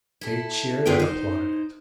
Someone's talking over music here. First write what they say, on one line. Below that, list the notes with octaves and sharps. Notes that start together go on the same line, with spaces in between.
They cheered and applauded it.
E4 A4
G2 B3 F4 G#4 B4 G5
D#4 C5